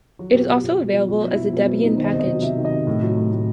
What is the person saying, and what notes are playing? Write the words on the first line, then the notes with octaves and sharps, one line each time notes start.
It is also available as a Debian package.
F#3 F#4
B2 G4
F#4
B2
B2
B2
F#3
B2 F#4
F#3
E4
B2
B2 C4
F#3 B3
B2 D#4
D#3 C5
D#5
C3 C5
D#5
F#3
C3 E5
D#3
D#5
C3
A2
F#3
A2
A2